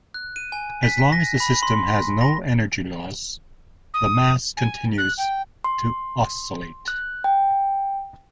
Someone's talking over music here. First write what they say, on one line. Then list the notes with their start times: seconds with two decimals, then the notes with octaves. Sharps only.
As long as the system has no energy loss, the mass continues to oscillate.
0.14 F#6
0.36 D#7
0.52 G#5
0.83 B6
0.98 B6
1.12 A#6
1.40 B5
1.63 C6
2.21 A#6
3.93 D#6
4.57 G#5
4.97 F#6
5.17 G5
5.64 C6
6.88 F#6
7.24 G5